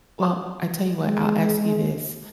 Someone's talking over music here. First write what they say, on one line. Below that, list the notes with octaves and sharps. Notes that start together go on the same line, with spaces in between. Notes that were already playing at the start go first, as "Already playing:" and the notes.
Well, I tell you what. I'll ask you this.
G#3